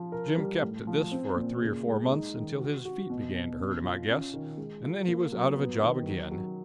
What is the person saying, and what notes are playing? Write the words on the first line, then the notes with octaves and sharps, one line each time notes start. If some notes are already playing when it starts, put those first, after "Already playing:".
Jim kept at this for three or four months, until his feet began to hurt him, I guess, and then he was out of a job again.
Already playing: F3
A#4
G3
A2
F3
C4
A#2
C#3
G#3
D#4
D#3
F#4
F#4
B2
B2
C#4
F4
C#4
D#3
G#3
F4
A#3
F#3
B3
D#3
F#3
F#3